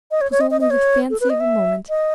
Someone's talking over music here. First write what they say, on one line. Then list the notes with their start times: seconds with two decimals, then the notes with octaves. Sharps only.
'Twas only the fancy of a moment.
0.11 D#5
0.21 C#5
0.32 C#5
0.41 D#5
0.51 D#5
0.61 D#5
0.70 C#5
1.10 A4
1.21 B4
1.30 D#5
1.40 E5
1.89 D#5